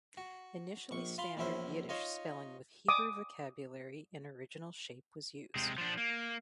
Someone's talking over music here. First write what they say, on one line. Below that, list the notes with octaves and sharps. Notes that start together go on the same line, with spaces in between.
Initially standard Yiddish spelling with Hebrew vocabulary in original shape was used.
F#4
A#1 C#6
F4 F5 B5 C6
A#1 E2 C#4 E4 C5
D#4 F4 C#5 D#5
D6 D#6
C3 G#3
F3 D4
A#3